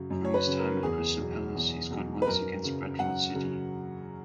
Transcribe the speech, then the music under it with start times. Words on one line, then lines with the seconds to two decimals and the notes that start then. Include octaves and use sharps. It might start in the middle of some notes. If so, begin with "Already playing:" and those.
During his time at Crystal Palace, he scored once against Bradford City.
Already playing: F#2 C#3 F#3
0.10 F#2
0.25 C#5
0.34 B4
0.47 C#3 F#3
0.59 A#4
0.83 E2 G#4
1.18 B2 F#3
1.55 E2
1.90 B2 F#3
2.22 B4
2.26 F#2 A#4
2.63 C#3 F#3
2.99 F#2 F#5
3.35 C#3 F#3